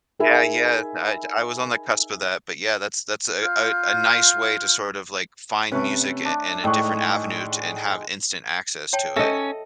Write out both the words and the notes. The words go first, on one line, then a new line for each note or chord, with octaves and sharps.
Yeah, yeah, I j I was on the cusp of that, but yeah, that's that's a a a nice way to sort of, like, find music i in a different avenue to, and have instant access to it.
D#4 G#4 A#4 E5 G#5 B5
F4 F6 G6
C3 A3 C#4 B4 C#5 G#5
D4 A5
A2 D#3 G#3 D4 G5 C#6
C#5 G5 A5
C#4 A4 D#5 E5